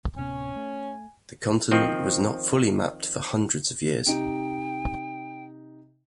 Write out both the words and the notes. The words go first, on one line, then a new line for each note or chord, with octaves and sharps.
The continent was not fully mapped for hundreds of years.
D1 C3 B3 C#4 G#5
A3
D#3 F3 C4
C3 D#4 G4 G5